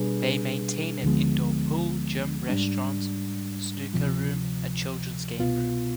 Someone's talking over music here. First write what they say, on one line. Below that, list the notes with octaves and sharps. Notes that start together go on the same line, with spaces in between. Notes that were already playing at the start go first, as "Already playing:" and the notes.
They maintain an indoor pool, gym, restaurant, snooker room, and children's game room.
Already playing: B2 G3 D4 G#4 B4
D2 D3 F3 G#3 B3
G#2 G3 D4
D2 C3 F3
C2 B2 B3 F4